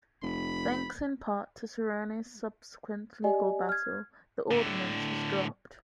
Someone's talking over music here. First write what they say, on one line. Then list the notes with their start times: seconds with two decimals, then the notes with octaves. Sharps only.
Thanks in part to Serrano's subsequent legal battle, the ordinance was dropped.
0.23 F1 B5
3.24 G4 D5 D#5 G#5
3.69 F6 G#6
4.51 A2 D3